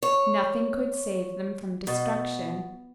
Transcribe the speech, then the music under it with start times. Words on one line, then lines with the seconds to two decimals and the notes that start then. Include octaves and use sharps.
Nothing could save them from destruction.
0.03 C#5
1.87 B2